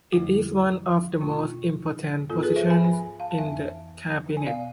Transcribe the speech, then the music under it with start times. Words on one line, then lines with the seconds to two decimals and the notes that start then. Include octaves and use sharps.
It is one of the most important positions in the Cabinet.
0.12 F2 D3 F3 A3 E4
1.21 E2 B2 A3 D4 F4
2.29 G#2 F3 B3 F4 A4
2.43 G#4 B4
2.56 C5 E5
2.70 G#5 B5
2.84 G#5 B5
3.20 F5 A5
3.31 A5
3.38 F2 E3 B3 E5 G#5
4.37 G#5
4.46 B2 B3 D5 F5